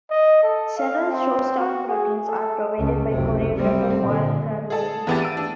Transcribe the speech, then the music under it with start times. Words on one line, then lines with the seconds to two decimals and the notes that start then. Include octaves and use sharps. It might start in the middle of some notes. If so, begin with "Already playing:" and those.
Several show-stopping routines are provided by choreographer Warren Carlyle.
0.10 D#5
0.43 A4
0.77 F5
1.09 C4
1.58 F#4
1.87 G#4
2.26 A4
2.79 C#2
3.09 F#1 C3
3.55 G3 C4
4.04 A#2 D3
4.70 G#4 A4 A5
5.07 E2 E3 B3 D4 G4 A6
5.22 E6 D7 D#7
5.37 D4